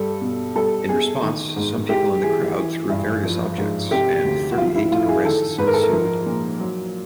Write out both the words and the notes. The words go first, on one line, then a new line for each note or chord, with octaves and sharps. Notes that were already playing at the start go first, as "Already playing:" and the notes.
In response, some people in the crowd threw various objects, and thirty-eight arrests ensued.
Already playing: G2 G3 A4
B2
G3 A4
B2 G#4
D#3
G#2
G#3 G4
E3 G#4
E3
G2
F3
G#2
C3 G4
D2
F#4
F3 F4
E4
A2 F4
G#4
D#3 A4
G#2 B4
A#4
A4
A#4
F3
A#2
F#3